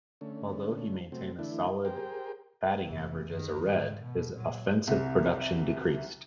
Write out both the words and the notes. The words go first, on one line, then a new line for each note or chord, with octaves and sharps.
Although he maintained a solid batting average as a Red, his offensive production decreased.
D3 A3 C#4
C3 F#3 A3 C4
D3 E3 A3 D4 E4
G4 G#4 A#4 C5 G5
F1 E3
F#2 D#3
G#2
B2
A#2 F#3
C2 C3